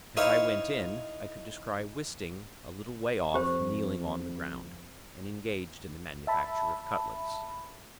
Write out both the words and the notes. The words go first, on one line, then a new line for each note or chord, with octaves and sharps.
As I went in, I could descry Wisting a little way off kneeling on the ground, and engaged in the manufacture of cutlets.
D#4 E4 C5 C#5 F5
F2 G4 C5
E5 A5 B5